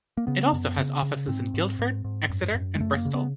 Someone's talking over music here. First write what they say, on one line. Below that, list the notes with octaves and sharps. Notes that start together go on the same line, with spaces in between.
It also has offices in Guildford, Exeter and Bristol.
A#3
C#3 B3
F#2
C#3
C#3
G#2 C4
G#2
G#2
G#2
F#2
F#2
G#3
F#2 A3
A#3
C#3
B3